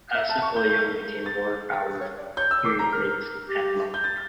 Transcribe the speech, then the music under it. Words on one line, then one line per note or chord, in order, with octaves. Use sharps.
As Napoleon became more powerful, he replaced Animal Farm!
E5
A5
C#6
G6
C#5
A#4 G6
A6
A#4
C#5
D5
C#5 G6
E6
A#4 D6
A#5
A#4 F6
G4
G6
A6